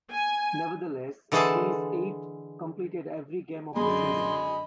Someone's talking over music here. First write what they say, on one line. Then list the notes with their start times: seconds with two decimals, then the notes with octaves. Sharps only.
Nevertheless, these eight completed every game of the season.
0.11 G#5
1.32 D3 E3 G#3 A4 C5 A5
3.76 F#2 D3 G#3 D#5 G#5 B5 C6